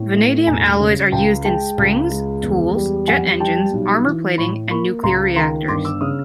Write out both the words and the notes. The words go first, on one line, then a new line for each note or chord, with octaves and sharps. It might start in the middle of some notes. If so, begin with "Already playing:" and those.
Vanadium alloys are used in springs, tools, jet engines, armor plating, and nuclear reactors.
Already playing: A2
A3
E1 G#5 A#5
C#3
C#2 G5 A5
G#3 G5 A5
C#2
G#3
E2
G3
F2 F#5 G#5
G3 G5 A5
B1
E3
A2 B5 C#6
A#3 B5 C#6
C#2 A#5 C6
D#3 A#5 C6
G1 C6 D6
D6 E6
C#3 D#6 F6